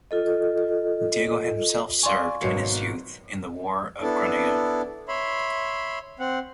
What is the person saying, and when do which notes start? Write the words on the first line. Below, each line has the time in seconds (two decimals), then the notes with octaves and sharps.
Diego himself served in his youth in the war of Granada.
0.11 F4 A4 D#5
2.03 D5 F5 G#5 C6 C#6
2.41 G#1 B2 F#3 A#3 C7 C#7
4.02 B3 D4 E4 A4
5.08 C#5 E5 B5 C6
6.19 C4 F#5